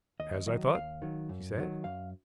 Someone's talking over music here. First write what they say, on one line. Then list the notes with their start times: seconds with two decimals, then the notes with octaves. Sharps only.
"As I thought," he said.
0.20 D#2 D#5
0.46 D#3 F#3 D#5
0.74 D#2 F5
1.02 D#3 F#3
1.29 F#2
1.57 D#3 F#3
1.84 F#2 F5